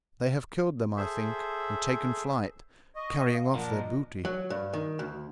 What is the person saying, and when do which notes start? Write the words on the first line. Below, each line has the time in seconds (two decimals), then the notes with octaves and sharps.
They have killed them, I think, and taken flight, carrying off their booty.
0.97 G#4 A4 C5 E5
2.96 D#5 C#6
3.33 F5
3.55 A#2 F3 D4 A#4 F#5
3.71 D#5
4.25 F#3
4.50 G2
4.73 D#3
4.99 D2